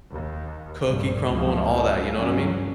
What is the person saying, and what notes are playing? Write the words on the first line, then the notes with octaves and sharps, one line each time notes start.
cookie crumble and all that, you know what I mean?
D#2
A#1 G2
F#1 C#2 G#2 F3
G2 F#3 C#4